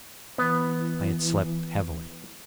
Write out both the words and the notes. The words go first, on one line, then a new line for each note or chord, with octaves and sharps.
I had slept heavily.
E3 B3